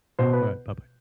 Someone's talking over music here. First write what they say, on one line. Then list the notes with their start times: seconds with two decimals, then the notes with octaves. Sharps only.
Alright, bye-bye.
0.19 B2 C5
0.33 B4